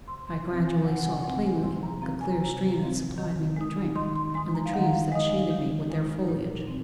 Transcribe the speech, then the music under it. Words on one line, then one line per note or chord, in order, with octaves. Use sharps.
I gradually saw plainly the clear stream that supplied me with drink and the trees that shaded me with their foliage.
C3 C6
C6
F3 C4
G#5
C3 F#5
F#5
G#5
F3 C4 F#5
G#5
C3 C6
A#5
F3 C4 A#5
G#5
C3 A#5
F3 C4
D#3
G#3 D#4
D#3 C6
C6
G#3 D#4 C6
A#5
F5
D#3 F#5
F5
G#3 D#4 D#5
F5
D#3
G#3 D#4
A#2
C4